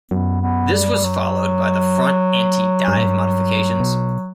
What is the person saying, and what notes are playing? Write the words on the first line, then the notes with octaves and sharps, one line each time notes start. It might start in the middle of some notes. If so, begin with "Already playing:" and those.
This was followed by the front anti-dive modifications.
F#2 B3
B3
G3
G2
F#2 F#3
G2
A2
G2
B2